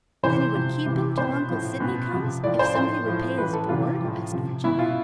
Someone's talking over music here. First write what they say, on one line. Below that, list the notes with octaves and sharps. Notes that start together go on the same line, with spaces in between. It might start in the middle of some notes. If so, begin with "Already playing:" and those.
"Then he would keep him till Uncle Sydney comes, if somebody would pay his board?" asked Virginia.
C3 E3 C5
C3 F3
C3 E3
B2 C5
A2 F3
B2
C3 F3
A2 F3 D5
C5
A2 F3 C5
A2 F3
A2 E3 B4
A4
C3 E3 F4
A2 F3
C3 F3
B2 E4
F4